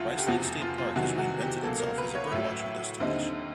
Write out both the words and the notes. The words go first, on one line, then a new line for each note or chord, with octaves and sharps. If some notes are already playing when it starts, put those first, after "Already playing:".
Rice Lake State Park has reinvented itself as a birdwatching destination.
Already playing: D2 C#3 F#3 A3 F4 F#4
G4
F1 E2 C3 F3 F#4
F4
F4
E2 C3 D#3 F#3 F#4
F#4
G4
C#2 B2 F#3 A#3 A4
A#4
B4
C#5
A1 A2 F#3 E5
D#2 D3 G3 C4 D#4